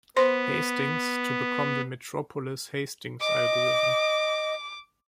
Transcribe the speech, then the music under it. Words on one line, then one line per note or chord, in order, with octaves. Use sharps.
Hastings to become the Metropolis-Hastings algorithm.
B3 C5 C6
D#5 D6